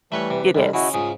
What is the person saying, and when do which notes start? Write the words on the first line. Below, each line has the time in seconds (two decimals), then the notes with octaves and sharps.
It is.
0.12 E3 G3 A3 B4 C#5
0.30 C3 B4
0.55 D#2 G3 G#3 A4
0.74 C#3 E4 F#4 D#5
0.94 G#2 C#3 F4 D#6